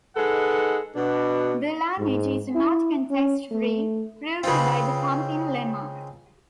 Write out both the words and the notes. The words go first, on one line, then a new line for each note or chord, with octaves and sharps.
The language is not context-free, proved by the pumping lemma.
G#3 D#4 G#4 A4 B4 F#5
B2 D4
G#2
E4
C#4
A3
C#3 G#3 C4 F4 B4